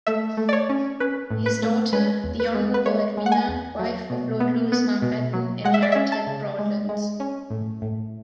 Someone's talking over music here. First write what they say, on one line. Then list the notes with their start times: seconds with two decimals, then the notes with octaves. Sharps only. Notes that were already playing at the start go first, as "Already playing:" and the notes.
His daughter, the Honourable Edwina, wife of Lord Louis Mountbatten, inherited Broadlands.
0.07 A3 E5
0.37 A3
0.49 D5
0.53 C#5
0.69 C#4
1.00 C#4 B4
1.31 A2
1.46 B4
1.62 A3
1.92 G#3 B4
2.24 E2
2.40 B4
2.55 G#3
2.74 B4
2.86 G#3 C#5
3.17 G#3
3.26 F#5
3.32 G#5
3.48 E2
3.79 F#3
4.10 B2
4.40 B3
4.72 B3
5.02 B2
5.33 F#3
5.64 G#3 F#5
5.74 E5
5.83 D5
5.92 C#4 E5
6.12 A5
6.27 C#3
6.58 G#3
6.89 G#3
7.20 C#4
7.50 A2
7.82 A2